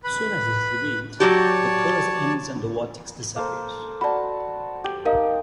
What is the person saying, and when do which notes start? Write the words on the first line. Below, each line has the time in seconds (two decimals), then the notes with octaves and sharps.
As soon as this is revealed, the curse ends and the vortex disappears.
0.04 B4 B5
1.20 F#3 F#4 G4 C#5 D5 A5
3.36 A#3 A4 C5
4.01 F#4 D5 A5 B5
4.84 G4
5.05 D#4 A#4 D#5 F5